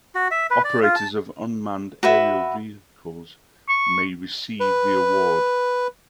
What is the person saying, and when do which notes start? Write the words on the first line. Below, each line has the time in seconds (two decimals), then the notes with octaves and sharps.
Operators of Unmanned aerial vehicles may receive the award.
0.15 F#4
0.31 E5
0.51 B4
0.64 D5
0.83 F4
0.96 A5
2.03 F#4 B4 E5
3.69 C#6
4.60 B4